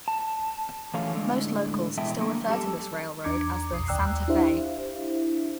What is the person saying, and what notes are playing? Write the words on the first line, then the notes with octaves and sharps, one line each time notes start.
Most locals still refer to this railroad as the "Santa Fe".
A5
E3 F#3 A3 C#4 A4 F5
A2 D3 E3 G#3
B2 E3 G#3 E5 G5 A5
D3 F3 A3 A#3
F#2 G3 A4
E2 D4 A#5 D6 G#6 C#7
B1 F2 D6 D#6 C7
D#2 D5 G5 A#5 E6 F#6
D4 E4 G4 C5 E5 F5